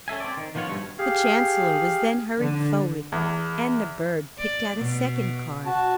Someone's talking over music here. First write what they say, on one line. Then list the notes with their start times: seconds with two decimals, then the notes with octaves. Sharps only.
The Chancellor was then hurried forward, and the bird picked out a second card.
0.08 C#4 A4 E5 G#5
0.20 C4 D5
0.37 D#3
0.55 D#3 F3 B3 F4 C#5
0.69 G2 B2 A3
0.99 G4 G#4 F5
2.39 D3
3.12 E2
4.38 D5
4.77 B2
5.66 F#4 A5